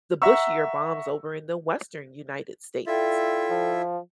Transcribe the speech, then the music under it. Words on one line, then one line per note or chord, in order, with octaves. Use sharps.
the bushier palms over in the Western United States.
E5 F#5 A#5 C#6 E6
E4 F4 A4 D5 E5 G5
F3